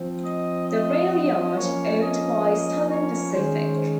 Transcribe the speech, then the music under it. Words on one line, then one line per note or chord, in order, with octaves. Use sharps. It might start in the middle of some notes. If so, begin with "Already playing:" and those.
The railyard, owned by Southern Pacific.
Already playing: F3 C4
D#5
D#5
D#5
F3 A#3 C#4 C#5
D#5
C#5
D#3 G#3 C#4 C5